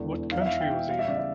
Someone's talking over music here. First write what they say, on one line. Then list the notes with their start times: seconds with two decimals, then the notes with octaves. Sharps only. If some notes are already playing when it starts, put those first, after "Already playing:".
What country was he in?
Already playing: E1 E2 D3
0.12 E2
0.32 E2 F5
0.41 E5
0.46 E3 F5
0.61 G5
0.70 E2
0.89 G3 F5
0.99 E5
1.08 C#3 D5
1.18 E5